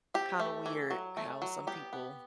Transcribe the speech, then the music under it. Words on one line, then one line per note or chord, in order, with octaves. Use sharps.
kinda weird how some people
C4 G4
A3
E3
F#3
A3
F#3
B3 G4
B3